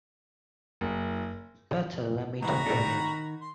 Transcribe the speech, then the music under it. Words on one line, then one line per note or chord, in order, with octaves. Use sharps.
Better let me talk to him.
F#1
G#2 E3 F#4 A#5 B5
B2 D4 A4
D#3
C6